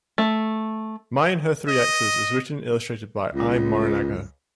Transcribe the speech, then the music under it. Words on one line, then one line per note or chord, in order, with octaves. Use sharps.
"My and Her Three X's" is written and illustrated by Ai Morinaga.
A3
D#5
C#2